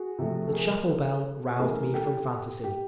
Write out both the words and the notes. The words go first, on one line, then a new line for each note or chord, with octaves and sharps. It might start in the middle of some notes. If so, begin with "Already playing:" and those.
The chapel-bell roused me from phantasy.
Already playing: F#4 G#4
C3 F3 A3
A4
G#4 A#4
A4 B4
C#3 E3 A3 G#4 A#4
G4 A4
G4